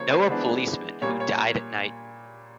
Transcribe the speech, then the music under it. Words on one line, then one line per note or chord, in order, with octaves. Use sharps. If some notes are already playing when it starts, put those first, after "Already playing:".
Know a policeman who died at night.
Already playing: C#3 F3 A#3 C5 C#5
C5
E3 G#3 B3 D4
A#2 G3 A#3 C#5
C#5